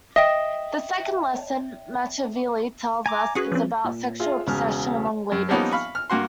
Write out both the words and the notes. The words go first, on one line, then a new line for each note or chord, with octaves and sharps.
The second lesson Machiavelli tells us is about sexual obsession, among leaders.
D#5 E5 G5
G#5 A#5 D6
C#4 F#4 G#4 B4 F#5
F3 C4
A#2
F4 G#4 E5
E1 C#3 F6
F#2
F3 G3 A#3 B3 C#4 D#4
F5 B5 C#6
F6
G2 A#3 F#4 C6